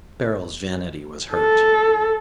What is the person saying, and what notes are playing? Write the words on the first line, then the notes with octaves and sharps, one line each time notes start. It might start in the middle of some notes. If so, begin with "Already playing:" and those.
Beryl's vanity was hurt.
A4